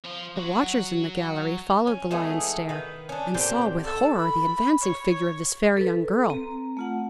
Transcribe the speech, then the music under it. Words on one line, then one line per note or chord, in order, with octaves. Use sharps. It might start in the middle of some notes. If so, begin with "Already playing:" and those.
The watchers in the gallery followed the lion's stare, and saw, with horror, the advancing figure of this fair young girl.
F3 F4
F#3 F#4
C#4
E3 G#3 A3 B3
D#3 B4 F5
C#4 D4
A#2 D3 C4 G4
A4
B5
C#5
A4 B4
C4 A#5
A3 F4 F#5